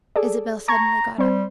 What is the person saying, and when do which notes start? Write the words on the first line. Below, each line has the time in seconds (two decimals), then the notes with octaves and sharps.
Isabel suddenly got up.
0.16 G#4 A4 D5
0.68 A5 A#5 C#6 G#6
1.18 G3 C4 C5